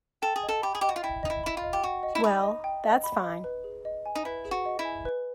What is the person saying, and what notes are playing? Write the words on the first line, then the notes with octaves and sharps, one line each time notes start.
Well, that's fine.
A4 G5
G#4
D#5
A4
G4 B5
G#4
G4 D#5
F#4
F4
E4 G5
D#4 D#5
E4
E4 B5
F4
D#5
G4
F#4 G5
D#5
E4
D#4 B5
D#5
G5
D#5
B5
D#5
B4
G#4
D#5
G#5
D#4
E4 B4
G#4
F#4
D#5
E4
G#5
B4